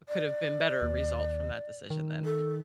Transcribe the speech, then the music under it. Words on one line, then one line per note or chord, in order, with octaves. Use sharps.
could have been better result from that decision then?
D5
D#2
D#3
A4